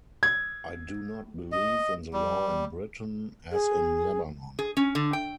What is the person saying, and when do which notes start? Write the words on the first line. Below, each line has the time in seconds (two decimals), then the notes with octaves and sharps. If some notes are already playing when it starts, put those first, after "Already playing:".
I do not believe in the law in Britain as in Lebanon.
0.23 G#6
1.52 D#5
2.13 G3
3.52 G#4
4.59 G#4
4.77 C#4
4.95 D3
5.13 G5